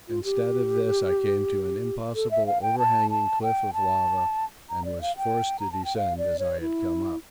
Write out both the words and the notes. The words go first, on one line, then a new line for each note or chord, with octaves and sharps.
Instead of this I came to an impossible overhanging cliff of lava, and was forced to descend as I had come up.
F4
G4
A4
E5
F5
G5
A5
A5
G5
A5
A#5
D5
F5
G5
A#5
A5
G5
F5
D5
C#5
E4